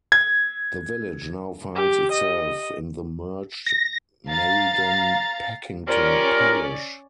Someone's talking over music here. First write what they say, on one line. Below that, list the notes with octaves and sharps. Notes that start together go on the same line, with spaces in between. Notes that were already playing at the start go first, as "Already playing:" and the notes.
The village now finds itself in the merged Meriden-Packington parish.
G#6
G4
D#5
A#6
F5 A#5 A6
G3 C#4 F4 A#4 D5